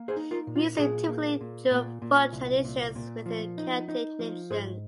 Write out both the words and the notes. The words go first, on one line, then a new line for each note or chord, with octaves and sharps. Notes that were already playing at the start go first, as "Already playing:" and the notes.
Music typically drew on folk traditions within the Celtic nations.
Already playing: A#3
G#4 C5
D#4
F4 A#4
A#2
F4
A#2 G#4
A#3
A#2
A#2
A#2
C2
A#2
A#2
F3
D#4
D#4
F3
G#2 G#4 C5